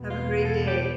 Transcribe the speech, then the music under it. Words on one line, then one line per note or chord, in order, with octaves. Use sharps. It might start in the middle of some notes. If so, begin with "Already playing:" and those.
Have a great day.
Already playing: E2 B2 B3
F4
A4
G4